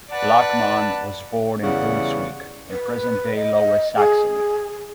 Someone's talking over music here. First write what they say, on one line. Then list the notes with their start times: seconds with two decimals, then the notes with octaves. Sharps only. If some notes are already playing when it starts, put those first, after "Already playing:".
Lachmann was born in Brunswick, in present-day Lower Saxony.
0.11 B4 D5 F#5 A5
1.62 E2 C#3 G3 F#5
2.70 B4
3.35 D#5
3.96 G#4